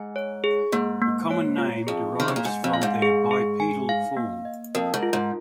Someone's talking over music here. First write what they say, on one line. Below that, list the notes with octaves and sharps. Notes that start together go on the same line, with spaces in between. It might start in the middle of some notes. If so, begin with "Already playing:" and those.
The common name derives from their bipedal form.
Already playing: G#2 G#5
C#5
G#4
G#2 A#3
A#3
C#5
F4
F2 G#4
D#3 G#4
C#3
A#2
G#2 G#5
F2
F5
G#2
G#4
G#4
G#5
F5
A#3
D#5
F2 A#4
G#2
F4
G#2